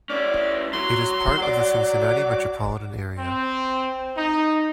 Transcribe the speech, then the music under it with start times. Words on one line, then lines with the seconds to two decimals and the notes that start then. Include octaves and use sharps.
It is part of the Cincinnati metropolitan area.
0.10 C#4 E4 D5
0.73 F#3 C6
1.42 D5
3.19 C4
4.17 D#4